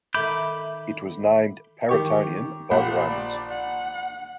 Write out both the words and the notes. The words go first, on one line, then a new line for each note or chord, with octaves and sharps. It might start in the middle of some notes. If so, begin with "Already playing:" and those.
It was named Paraetonium by the Romans.
D#3 A4 E5 B5 D6 G6
D#3 G4 C#6
A#1 G4 F#5
D5
F#5